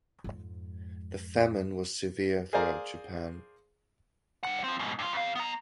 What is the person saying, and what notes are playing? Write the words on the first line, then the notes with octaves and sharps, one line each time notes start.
The famine was severe throughout Japan.
F2 G#2
G#4 A#4 C5 D5 F5 A#5
G3 F#5
F3 C4
G#2 B2
G2 F4
F2 F5
B3 A#5